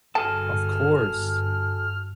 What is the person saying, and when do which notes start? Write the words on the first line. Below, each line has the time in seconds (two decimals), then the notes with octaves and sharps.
Of course.
0.15 G1 G2 F#4 G#4 A4 A5 F6